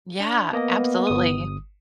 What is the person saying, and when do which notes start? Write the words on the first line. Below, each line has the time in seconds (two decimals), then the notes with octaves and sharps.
Yeah, absolutely.
0.20 D4
0.53 A#3 B3 D#5
1.07 G1 D#6